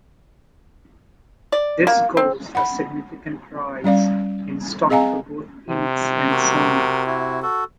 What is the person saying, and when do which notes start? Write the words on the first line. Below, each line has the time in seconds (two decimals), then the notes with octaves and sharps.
This caused a significant rise in stock for both Enix and Sony.
1.52 D5
1.87 A#3
2.17 C4
2.55 F#5 B5
3.84 G3 C#4 D5 F5
4.90 C4 G#4 D#5 F5 G#5 A#5
5.70 C3
6.31 F#4 A#4
7.06 E4 F#4
7.42 F#4 A4